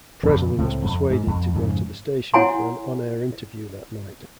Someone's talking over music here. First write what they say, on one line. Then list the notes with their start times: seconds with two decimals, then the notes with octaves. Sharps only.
Presley was persuaded to go to the station for an on-air interview that night.
0.23 F2 A#2 C#3
0.57 C#2 A2 A3 C4
0.85 F2
1.10 G#2 G#3
1.27 F2
1.53 F2 G#2 C#3
2.34 E4 C#5 F#5 G#5 A#5 C6